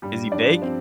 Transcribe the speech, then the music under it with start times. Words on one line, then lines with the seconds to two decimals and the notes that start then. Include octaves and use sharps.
is he big?
0.02 G2 G3 G4
0.25 G2
0.32 D4 D5
0.47 F3
0.62 C4 C5